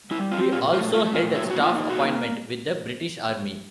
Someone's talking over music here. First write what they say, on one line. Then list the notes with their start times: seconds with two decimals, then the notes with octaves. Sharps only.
He also held a staff appointment with the British Army.
0.11 G3 E4
0.31 C4 F4
0.52 A#2 F4
0.73 A3 F4
0.93 A3 F4
1.13 A#2 F4
1.34 F#3 E4
1.51 A#3 F#4
1.62 F4
1.75 D#4
1.90 F#4
1.96 A#3